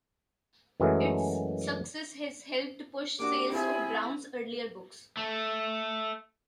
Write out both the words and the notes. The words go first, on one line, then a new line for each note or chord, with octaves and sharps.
Its success has helped push sales of Brown's earlier books.
F#2 E3 F#3 G#3 A3
A#3 D4 F#4 G4 D6
C4 E4 F4 G#4 E5
A3